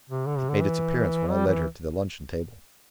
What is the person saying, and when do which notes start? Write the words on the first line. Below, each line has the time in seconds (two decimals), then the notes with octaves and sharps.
It made its appearance when I led her to the luncheon table.
0.09 C3
0.26 D3
0.38 C3
0.49 D3
0.61 E3
1.30 G3
1.47 E3